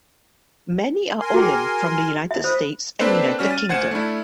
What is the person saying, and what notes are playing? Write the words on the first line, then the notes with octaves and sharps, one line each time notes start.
Many are olim from the United States and United Kingdom.
A#4 G#5 C6
F#4 G#4 G5
D#2 E5
C5 B5 D#6
A#3 C4 D4 A4 B4 C5
G3 C#4 F#4 F6
A6 D#7
D2 C5 F#5 G#6 C#7 E7
A3 D4 E4